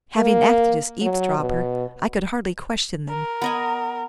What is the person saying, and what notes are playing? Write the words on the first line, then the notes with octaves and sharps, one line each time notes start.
Having acted as eavesdropper, I could hardly question them.
A#3
F#3
B2
A#4
B3 D#5 G#5